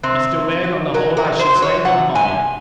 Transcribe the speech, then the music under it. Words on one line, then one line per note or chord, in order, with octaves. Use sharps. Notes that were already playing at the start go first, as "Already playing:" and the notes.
'Mr Wegg, on the whole I should say he might.'
C3 C4
C3
F#3
F#3 A#4
A#4
C3
C5
F#3
C#5
C3 F#5
C3 G#5